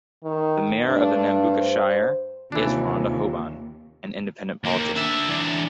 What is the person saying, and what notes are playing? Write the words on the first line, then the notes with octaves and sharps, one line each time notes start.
The Mayor of the Nambucca Shire is Rhonda Hoban, an independent politician.
D#3
G2 A3 D4
C5
D#2 C3 E3 D4 F4
D#2 A#3
D4 E5
E3 D4